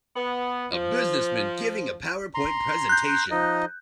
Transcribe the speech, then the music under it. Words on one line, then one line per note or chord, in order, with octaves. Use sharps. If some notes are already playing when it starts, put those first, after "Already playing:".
A businessman giving a powerpoint presentation.
B3
F3
A#5 C6
F#6 G6
F3 D#4 D#5